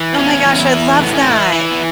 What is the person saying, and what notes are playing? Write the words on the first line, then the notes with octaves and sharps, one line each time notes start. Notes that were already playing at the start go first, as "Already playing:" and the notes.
Oh my gosh, I love that.
Already playing: E3
E2 C#4
E2
E4
E3
A2 B3
C#4
E3 E4
E3 E4
B3